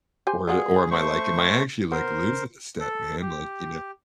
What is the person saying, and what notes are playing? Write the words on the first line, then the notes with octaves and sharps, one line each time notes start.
or or am I, like am I actually, like, losing a step, man?" Like, you know?
G4 C5 G#5
G3 F4 F#4 G#4
A3 C5 C#6
B3 A#4 C5
A4
G4